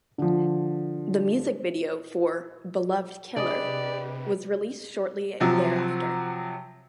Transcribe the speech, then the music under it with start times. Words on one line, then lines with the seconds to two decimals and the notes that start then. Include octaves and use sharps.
The music video for "Beloved Killer" was released shortly thereafter.
0.18 D3 F3
3.36 C3 D4 G4 G#4 B4 D5 D#5
5.40 C3 F3 F#3